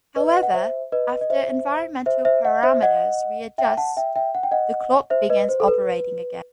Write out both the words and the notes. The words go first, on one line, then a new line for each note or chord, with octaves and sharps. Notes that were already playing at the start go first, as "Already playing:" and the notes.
However, after environmental parameters readjust, the clock begins operating again.
B4 D#5
F#5
C5 E5
B4 D#5
D#5
C5 E5
C5 E5
C5 E5
D#5 F#5
C5 E5
D#5 F#5
E5 G5
F#5 A5
E5 G5
E5 G5
F#5
G5
D#5 F#5
C5 E5
B4 D#5
C5
A4
B4